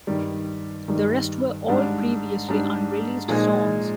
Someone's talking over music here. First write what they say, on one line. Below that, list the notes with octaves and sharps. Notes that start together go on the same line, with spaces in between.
The rest were all previously unreleased songs.
G2 D#3 G3
G2 D#3 G3
G#2 G3 D4
G#2 G3 D4
A#2 F3 G#3 D#4